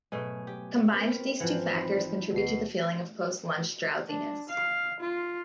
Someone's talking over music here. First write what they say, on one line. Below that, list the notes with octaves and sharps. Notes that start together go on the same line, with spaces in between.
Combined, these two factors contribute to the feeling of post-lunch drowsiness.
G#2 B2 F#3 A3 G#5
G4
A#3 C4 B4 C5
G#2 E3 F3 F#5
G#1 D#4 B5
D2 B2 C7
D4
F5
F4